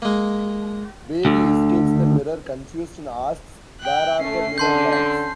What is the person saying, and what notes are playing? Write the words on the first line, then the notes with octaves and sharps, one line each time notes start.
Barry escapes the mirror confused and asks, Where are the Mirror Lords?
G#3 A#3
D2 D3
G5 F#6
A3 C#4 C7
D3 A5 C6 G6
G6